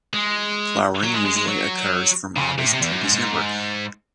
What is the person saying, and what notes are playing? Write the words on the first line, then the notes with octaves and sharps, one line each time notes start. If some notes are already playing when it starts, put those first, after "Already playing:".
Flowering usually occurs from August to December.
G#3
F#3
G#3
G#3
G#3
F#3
C#3
C3
A2
C3
E2
F#2
G#2
G#2